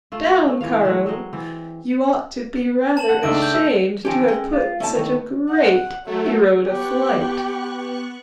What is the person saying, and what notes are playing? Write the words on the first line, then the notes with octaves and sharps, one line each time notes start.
'Down, Caro! you ought to be rather ashamed to have put such a great hero to flight!'
A3 F4
A3
A#2 E3 F4 F5
G#3 A3 C4 E4
F#3 G#3 C5 D#5
E3 C4
A5 E7 F#7
F#5
C#2 G#2 A3 D4 D#4 D7
G6
E5
D#3 F3 C#4 G4 G5
G#3
F4
A2 C3 A3 G5 A5
D#3 A3
F#5
F#3 A3
B3 G4 C#6 F#6